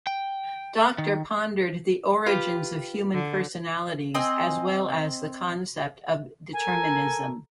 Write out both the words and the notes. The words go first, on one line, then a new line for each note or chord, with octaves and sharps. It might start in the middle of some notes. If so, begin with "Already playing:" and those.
Docter pondered the origins of human personalities as well as the concept of determinism.
G5
D#3
F4 G4 B4
D3
C4 D#5 G#5
A4 A#4 G#5 A#5